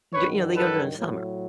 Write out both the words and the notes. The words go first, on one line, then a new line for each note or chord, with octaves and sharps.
D you know, they go during the summer.
G2 D#3 F#3 B4 C#5
A4 B4
A2 F#3